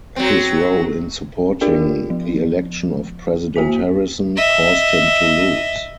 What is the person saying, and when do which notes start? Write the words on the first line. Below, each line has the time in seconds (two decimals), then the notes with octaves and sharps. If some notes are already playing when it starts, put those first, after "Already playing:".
His role in supporting the election of President Harrison caused him to lose.
0.16 F#3 C4
1.61 D4 F4 G4 A#4 D5 G5
2.10 F3
3.56 A#3 F#4 E5 G#5 B6
4.37 D#5 E5